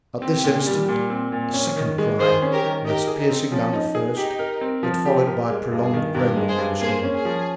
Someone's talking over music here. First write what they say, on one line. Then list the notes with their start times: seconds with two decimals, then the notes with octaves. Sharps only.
At this instant a second cry, less piercing than the first, but followed by prolonged groaning, was heard.
0.21 C4 G4
0.44 A#2
0.66 G3
0.88 A#2
1.10 C4
1.32 A#2
1.54 C#4
1.76 D#3
1.98 G#3
2.19 D#3 G#4 C5
2.42 C#4
2.52 G4 A#4
2.64 D#3
2.85 D#4 G4 A#4
3.07 G#4
3.19 D#4
3.30 C4
3.51 F3 C#4
3.73 D#4
3.95 G#4
4.17 D#4 G4
4.39 A#4
4.61 C4
4.83 F3
5.05 G4
5.27 A#4
5.50 G#3
5.71 G2
5.82 G#4
5.94 D#3
6.15 G2 G4 A#4
6.36 G#3
6.48 G#4 C5
6.58 G2
6.81 A#3 G#4 C5
7.03 C#4
7.14 G#4
7.25 F3